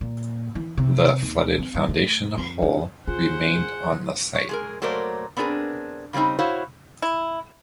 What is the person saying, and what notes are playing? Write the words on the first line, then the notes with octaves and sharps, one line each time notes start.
The flooded foundation hole remained on the site.
A#2
E3
C3
D#2
C4
G2
A3
F2
D4
F4 G#4 C5 F#5
C#5
G#3 G#4 A#4
F#3 A3 A#3 A#4 C5 D5
B3 C4 D4 G#4 A#4
C#3 F#3 G3 C4 D#4
E4 F#4 C5 C#5 F5
E4